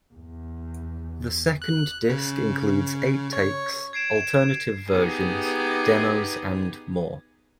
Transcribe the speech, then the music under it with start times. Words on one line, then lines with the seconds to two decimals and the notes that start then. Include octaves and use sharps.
The second disc includes outtakes, alternative versions, demos and more.
0.14 E2
1.62 F#6
2.09 C#3
3.33 C#5
3.93 G#6 C7 D7 E7
4.88 B3 D#4 G4 G#4